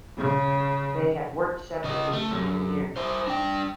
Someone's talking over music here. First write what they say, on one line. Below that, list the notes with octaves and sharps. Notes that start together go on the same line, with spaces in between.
They had worked separately for many years.
C#3
C#3 D#5
A3
F#2
E4 C5
D4 G5